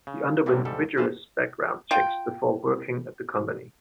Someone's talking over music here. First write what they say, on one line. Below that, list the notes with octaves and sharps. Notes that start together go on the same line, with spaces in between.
He underwent rigorous background checks before working at the company.
C#3
A2 C3 E3 F#3 G3 A#3
D2 G#2 G3 A4
A#2 E3 B4 C5 F5 A5
F4 G5